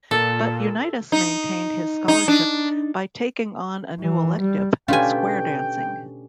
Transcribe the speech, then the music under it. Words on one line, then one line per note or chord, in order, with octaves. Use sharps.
But Unitas maintained his scholarship by taking on a new elective: square dancing.
A#2 A4
D#4
D#4
D4
E3
G3
B2 A3 C#4 D4 F4 G4 G5 G#5